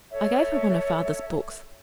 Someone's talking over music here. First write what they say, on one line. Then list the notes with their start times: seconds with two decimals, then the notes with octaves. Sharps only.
I gave her one of father's books.
0.10 A4 C#5 E5